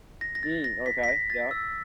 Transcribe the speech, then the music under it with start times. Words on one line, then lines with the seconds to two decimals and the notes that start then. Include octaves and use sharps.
Mm, okay. Yep.
0.21 A#6
0.35 A#6
0.43 A6
0.64 A#6
0.86 B6
1.03 B6
1.08 A#6
1.30 A6
1.51 E6